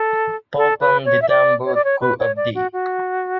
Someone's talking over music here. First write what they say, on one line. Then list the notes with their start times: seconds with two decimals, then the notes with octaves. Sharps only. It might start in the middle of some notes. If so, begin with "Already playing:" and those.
Pulpen ditambut ku abdi.
Already playing: A4
0.57 A4
0.81 B4
1.05 C#5
1.22 E5
1.29 D5
1.65 C#5
1.75 D5
1.84 C#5
2.01 B4
2.19 C#5
2.36 D5
2.55 F#4
2.73 F#4